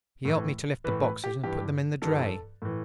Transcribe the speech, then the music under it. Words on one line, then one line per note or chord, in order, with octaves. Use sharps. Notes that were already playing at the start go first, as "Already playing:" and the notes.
He 'elped me to lift the boxes and put them in the dray.
A2 E3
A2 E3 B4
B4
G4
G2 E3 G4
G2 E3 A4
A2 E3